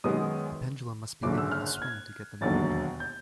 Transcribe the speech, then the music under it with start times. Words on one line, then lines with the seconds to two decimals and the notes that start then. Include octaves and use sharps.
The pendulum must be given a swing to get them going.
0.04 F#2 D#3 G#3 B3 D#6
1.23 F#1 F#2 D3 D6
1.38 E6
1.52 F6
1.67 F#6
1.82 G#6
2.41 E1 D#2 D3 F#3 A6
3.00 G6